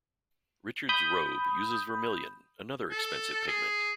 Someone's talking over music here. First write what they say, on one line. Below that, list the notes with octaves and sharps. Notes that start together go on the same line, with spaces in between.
Richard's robe uses vermilion, another expensive pigment.
B5 D#6 G6
A4
G#4